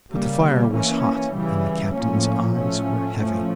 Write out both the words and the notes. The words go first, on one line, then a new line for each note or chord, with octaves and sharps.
But the fire was hot, and the captain's eyes were heavy.
C#3 G3 A#3
E3 A#3 C#4
C#3 E3 G3
A2 F3 A#3 C#4
A2 F3 A3 C#4
A2 F3 A3 C#4